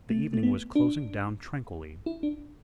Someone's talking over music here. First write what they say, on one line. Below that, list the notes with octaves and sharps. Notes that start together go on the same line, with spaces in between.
The evening was closing down tranquilly.
A3
A3
B3
D4
E4
D4